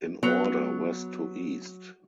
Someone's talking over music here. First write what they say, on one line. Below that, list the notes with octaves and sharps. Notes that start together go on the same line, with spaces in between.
In order west to east.
F#3 B3 C#7 F7